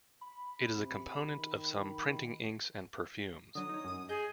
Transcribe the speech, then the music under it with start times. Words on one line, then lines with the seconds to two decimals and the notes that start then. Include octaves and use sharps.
It is a component of some printing inks and perfumes.
0.21 B5
0.75 C3
1.37 D#3
3.55 D3 F#3 D#6
3.69 D#4 C#5
3.85 F#2 D#7
4.09 G#4 D#5 G6